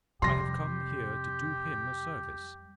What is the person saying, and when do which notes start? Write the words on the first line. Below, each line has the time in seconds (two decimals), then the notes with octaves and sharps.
I have come here to do him a service.
0.22 F2 C3 G3 G4 C6 A#6